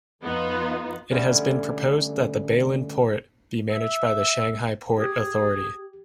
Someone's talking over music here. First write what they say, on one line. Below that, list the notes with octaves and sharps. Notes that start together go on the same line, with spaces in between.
It has been proposed that Beilun port be managed by the Shanghai port authority.
F2 B3 D#4 F4
D3 G3 A3 C#4
E5
G4 G#4